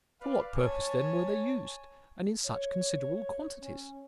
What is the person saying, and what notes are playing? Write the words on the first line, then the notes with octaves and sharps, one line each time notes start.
For what purpose, then, were they used, and in such considerable quantities?
B4 D5 F5
C#5 G#5 A5
C#5
C#4